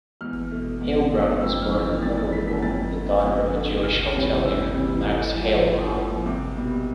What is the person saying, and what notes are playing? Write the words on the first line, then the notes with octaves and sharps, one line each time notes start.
Heilbron was born in Liverpool, the daughter of a Jewish hotelier, Max Heilbron.
E2 F6
B2 A3
E2
B2 A3
F2 E6
F6
E3 A3
F2 A6
A6
E3 A3 B6
B6
F2 A6
D3 A3
F2
D3 A3
D2 F6
C3 E3 G3
D2 E6
C3 E3 G3
A2
F3 A3
A2
F3 A3
C2 D6
B2 G3